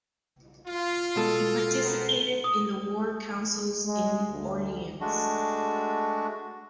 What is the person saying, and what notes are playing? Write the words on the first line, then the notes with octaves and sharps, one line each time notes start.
He participated in the war councils in Orleans.
F4
B2 G#3 A4
B3 A#4 C5
D#6
G#3
D2
G#3 A3 D4 F#4